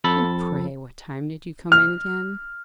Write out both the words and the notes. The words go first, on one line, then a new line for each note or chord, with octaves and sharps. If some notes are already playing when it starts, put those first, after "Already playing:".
"And pray what time did you come in again?"
F2 A4 B5
F6